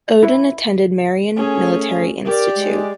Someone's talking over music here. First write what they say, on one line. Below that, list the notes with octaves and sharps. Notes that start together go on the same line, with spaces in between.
Oden attended Marion Military Institute.
E4
A3 C#4 G#4
G4 A#4 D5
G#3